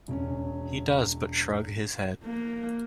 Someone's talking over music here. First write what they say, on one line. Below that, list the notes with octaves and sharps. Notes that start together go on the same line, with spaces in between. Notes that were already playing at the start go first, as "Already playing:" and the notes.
He does but shrug his head.
E1 C#4
A#3